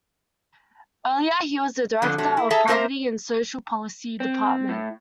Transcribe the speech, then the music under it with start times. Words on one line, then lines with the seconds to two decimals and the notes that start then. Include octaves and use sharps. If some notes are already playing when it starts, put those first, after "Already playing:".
Earlier, he was the director of Poverty and Social Policy Department.
2.02 F2 D3
2.18 C3 F#3 A3
2.37 E4
2.50 G#4 A4 E5 A5 A#5
2.68 A#3 C4 A#4 C5 E5 A#5
4.20 C4
4.69 A2